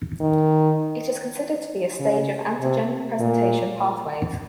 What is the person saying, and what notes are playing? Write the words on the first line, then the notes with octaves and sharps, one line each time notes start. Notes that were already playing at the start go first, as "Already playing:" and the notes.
It is considered to be a stage of antigen presentation pathways.
D#3
C#3
C3
A#2